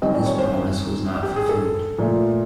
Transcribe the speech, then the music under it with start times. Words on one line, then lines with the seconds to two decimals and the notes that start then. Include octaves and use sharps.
This promise was not fulfilled.
0.02 F#2 D#3 G3 C4 D#5
0.14 D5
0.26 C#5
0.38 C5
1.23 G4
1.36 G#4
1.49 A4
1.98 A#2 F3 A3